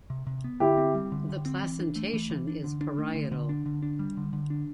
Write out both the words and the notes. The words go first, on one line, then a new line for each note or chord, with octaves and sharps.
The placentation is parietal.
C3
C3
B3
D3 E4 G4
C4
G3
D3
D3
C4
E3
D4
A3
E3
E3
D4
D3
D4
A3
D3
D3
D4
D3
D4
G3
D3
D3
D4